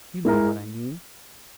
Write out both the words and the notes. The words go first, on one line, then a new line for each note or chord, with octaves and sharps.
You know what I mean.
G#3 E4 A#4